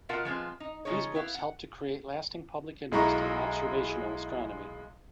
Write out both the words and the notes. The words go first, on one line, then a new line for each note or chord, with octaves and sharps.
These books helped to create lasting public interest in observational astronomy.
B2 F4 A#4 F5 F#5 A5
F3 G3 G#3 B3 C4 F4
D#4
C#3 F3 A#3 D#4 G#4 C#5
B3 E4 F5
F#5
B1 G#3 E4 A#5 C#6